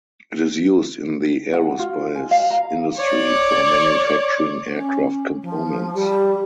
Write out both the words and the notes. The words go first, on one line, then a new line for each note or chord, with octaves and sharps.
It is used in the aerospace industry for manufacturing aircraft components.
F#5
F4
G#5
F5
A#5
C#5 D5
C#4
F3
G3